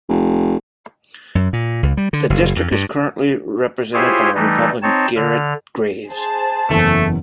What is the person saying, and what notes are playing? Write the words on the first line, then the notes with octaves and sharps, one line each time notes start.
The district is currently represented by Republican Garret Graves.
F1
F#2
A#2
C#2
G3
D3
F#1
F2
G2
E4 F4 G4 G#4 C5 C#5
E3 G3 A3 D#4
C4 D#4 C#5 A5
D3 F6
G#4 C5 A5
F#1 E2 A3